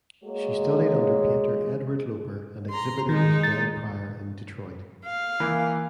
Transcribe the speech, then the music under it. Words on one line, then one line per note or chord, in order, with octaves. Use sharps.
She studied under painter Edward Loper and exhibited with Dell Pryor in Detroit.
G#3 A#3 F#4 C#5
A#5 C6
D#3 G#3 D#4
A6
F5
E3 A#3